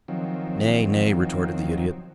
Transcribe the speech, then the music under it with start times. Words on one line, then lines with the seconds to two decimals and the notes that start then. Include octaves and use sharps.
"Nay, nay," retorted the Idiot.
0.08 D#3 F3 F#3 C4